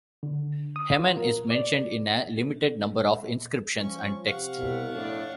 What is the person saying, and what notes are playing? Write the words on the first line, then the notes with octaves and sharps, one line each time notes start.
Hemen is mentioned in a limited number of inscriptions and texts.
D3
D#6
F4
A#4
D5
F3 C#4 C#6
C3 F5 F#5 C#6
C2 B2
F2 A2 D4